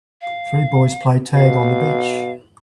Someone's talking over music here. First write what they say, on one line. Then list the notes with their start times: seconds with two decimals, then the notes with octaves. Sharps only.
Three boys play tag on the beach.
0.21 F5
1.34 B2 F5